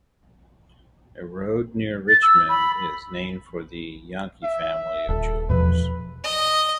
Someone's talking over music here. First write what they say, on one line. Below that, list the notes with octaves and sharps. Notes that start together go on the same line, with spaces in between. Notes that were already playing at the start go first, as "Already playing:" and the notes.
A road near Richmond is named for the Jahnke family of jewelers.
A6
E6
B5
E5
D#1 A4
E2 B2 F3 B4
D#5